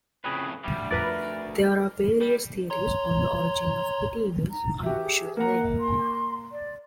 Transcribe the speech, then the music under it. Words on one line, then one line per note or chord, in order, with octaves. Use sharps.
There are various theories on the origin of Pity Me's unusual name.
F2 A2 C#3 G#4 B4
D2 G3
F2 A#4 B4 D5
G3
C#5 A#5 C6
A#5
F#4 G4 E5
G#4
A#3 F#5 A#5
C6
D5